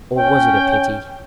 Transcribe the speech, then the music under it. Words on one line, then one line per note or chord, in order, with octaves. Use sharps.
Or was it a pity?
C#4 G5